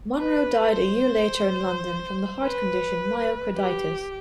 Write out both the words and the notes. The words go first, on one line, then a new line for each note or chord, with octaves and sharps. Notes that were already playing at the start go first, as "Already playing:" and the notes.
Munro died a year later in London from the heart condition myocarditis.
B4
C5
B4
G4